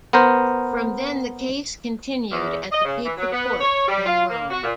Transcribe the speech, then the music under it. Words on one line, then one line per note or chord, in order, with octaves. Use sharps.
From then the case continued at the papal court in Rome.
B3 A#4 C5
E2
D#5
C#3
E3
F#3
B3
C#5
G3
F4
A#3
F#4
A#2